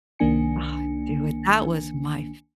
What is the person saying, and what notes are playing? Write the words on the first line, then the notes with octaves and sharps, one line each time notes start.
Ah, dude that was my
C2 D#3 A#3 D4 G#5 C#7